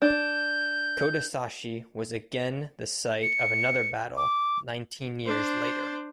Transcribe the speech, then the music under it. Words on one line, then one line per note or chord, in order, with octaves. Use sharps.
Kotesashi was again the site of another battle nineteen years later.
D4 G6
C#7
D6
D4 C5